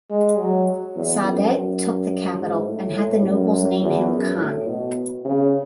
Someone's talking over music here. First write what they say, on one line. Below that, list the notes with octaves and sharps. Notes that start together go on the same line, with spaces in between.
Saadet took the capital and had the nobles name him khan.
G#3
F#3
E2
F#2
F#2
G#2
A2
A2
F#2
E2
F#2
A2
B2
C#3